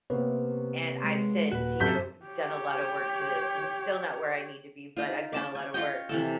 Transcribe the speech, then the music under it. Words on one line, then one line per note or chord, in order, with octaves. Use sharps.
and I've since, you know, done a lotta work to n still not where I need to be, but I've done a lotta work,
C3 A#3 B3 C#5
G#3
D#1 F#4 B4
F#2 C3 G4 A4 G6 B6
G4 C#5
D#4 F4
C#4 A5 D6
G#5
F4 C#5 D#5 G5
C3 E3 A4